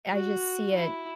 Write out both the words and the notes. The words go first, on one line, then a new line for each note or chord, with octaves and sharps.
I just see it
F#4
E4